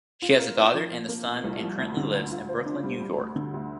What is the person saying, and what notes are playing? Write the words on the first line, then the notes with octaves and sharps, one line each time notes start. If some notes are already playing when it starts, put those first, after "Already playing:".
She has a daughter and a son and currently lives in Brooklyn, New York.
F4
A#4
C4
F3
F3
A#3
A#2
C2
F3
D2
D3
D2
F4
C5
D4
G3
G3
D2
D3
D2